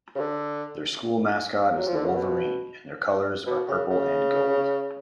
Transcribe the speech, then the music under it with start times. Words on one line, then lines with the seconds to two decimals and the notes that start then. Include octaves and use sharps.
Their school mascot is the wolverine, and their colors are purple and gold.
0.15 C#3
0.19 D3
1.77 F#3
1.87 F3
1.96 D3
2.05 C#3
2.15 B2
3.46 B2
3.68 C#3
3.90 C#3